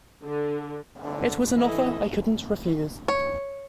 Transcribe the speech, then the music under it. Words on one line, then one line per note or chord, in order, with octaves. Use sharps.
It was an offer I couldn't refuse.
D3
D3
E3 E4 A4 D#5
C#5